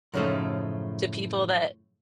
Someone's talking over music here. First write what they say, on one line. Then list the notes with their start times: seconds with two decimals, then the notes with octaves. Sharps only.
to people that
0.14 F#2 A2 C#3 F3 A3 D#4